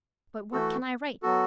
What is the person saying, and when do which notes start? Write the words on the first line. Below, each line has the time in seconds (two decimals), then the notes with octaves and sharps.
But what can I write?
0.53 E3 A3 F#4 A4
1.23 F#3 B3 F#4 A4